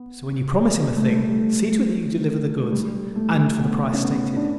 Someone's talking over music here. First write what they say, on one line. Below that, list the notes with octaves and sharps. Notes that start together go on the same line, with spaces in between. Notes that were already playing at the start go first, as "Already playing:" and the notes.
So when you promise him a thing see to it that you deliver the goods and for the price stated.
Already playing: B3
A3
G3
A3
A3
G3
A3
B3
C#4
B3
D4